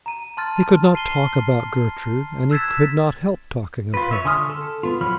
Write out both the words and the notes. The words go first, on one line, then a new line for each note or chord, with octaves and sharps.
He could not talk about Gertrude, and he could not help talking of her.
A#5 D#7
A5 C6 F6 A6
C7 D#7 G7
E6 F#6 G#6 A6 B6 E7
F4 B4
C#5 E5
D3 G#5 C6 D#6 F6
A4
B3 F4
F3 F#3 C#5 B5 F6